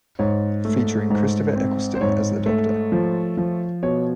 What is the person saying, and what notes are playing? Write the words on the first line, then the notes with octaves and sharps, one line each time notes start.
Featuring Christopher Eccleston as The Doctor.
G#2 C#5
A3
G#2
C4
C5
G#2 C#5
A3
F3
F3
B2 C#5